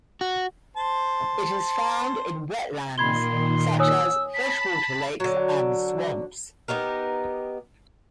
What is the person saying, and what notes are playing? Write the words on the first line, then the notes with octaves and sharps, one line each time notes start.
It is found in wetlands such as freshwater lakes and swamps.
F#4
C5 A5
A#2 D#3 B5 C6 G#6 G7
C#5 G#5 D#6 E6
A5 B5 B6
D3 F#3
B3 D#4 G4 A#4